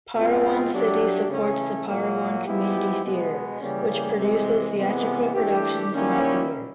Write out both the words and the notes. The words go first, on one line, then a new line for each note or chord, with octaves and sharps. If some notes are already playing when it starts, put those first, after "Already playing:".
Parowan City supports the Parowan Community Theatre, which produces theatrical productions throughout the year.
B2 G#3 C4 F4
F#3 A3 D4 G4
C#3 E3 A3 C#4
A#2 F#3 A#3
F3 G#3 B3 E4 G4
B2 G#3 B3
C#3 E3 G3 A#3 C#4
C3 E3 G#3
C3 E3 G#3 B3
E3 A3 D4 G4
D#3 G3 A#3 C#4 E4